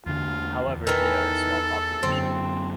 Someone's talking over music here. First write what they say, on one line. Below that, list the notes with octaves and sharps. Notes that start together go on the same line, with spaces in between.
However, they are a small population.
E2 D3 F4
E2
D#3 E3 A4
F#2 D3 C4